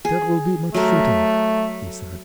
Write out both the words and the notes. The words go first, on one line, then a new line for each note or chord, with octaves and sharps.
"There will be much shooting," he said.
G#4
F#3 A3 A#4